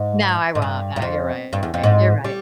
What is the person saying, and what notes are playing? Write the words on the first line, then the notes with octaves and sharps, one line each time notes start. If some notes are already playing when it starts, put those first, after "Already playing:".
No, I won't, nah, you're right, you're right.
Already playing: G#2
G#2
G2
G2
F2
G2
E2
F2
G#2
G3